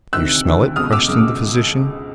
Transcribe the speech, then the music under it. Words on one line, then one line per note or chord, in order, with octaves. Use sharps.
"Do you smell it?" questioned the physician.
D2 C3 D#3 E6 F#6
D2 C3 D#3
C#2 B2 D#6 F6
D6 E6
C#2 B2